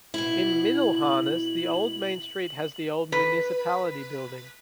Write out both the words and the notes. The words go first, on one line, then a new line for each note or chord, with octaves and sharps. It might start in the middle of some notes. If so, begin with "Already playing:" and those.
In Middelharnis the old main street has the old municipality building.
B2 E4 F#7
B4